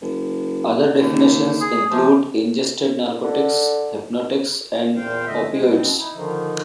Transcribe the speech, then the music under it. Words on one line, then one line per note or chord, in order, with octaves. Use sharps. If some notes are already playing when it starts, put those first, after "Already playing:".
Other definitions include ingested narcotics, hypnotics, and opioids.
F#1
D#2
G#4
F1 C3 F3
D3
E2 A#2 C5 F5 G5
D3 A3 D#5 E5
F2 G#2 G#3
F#2 B2 C4
D#4 E4
D3 D#3 F3 D#4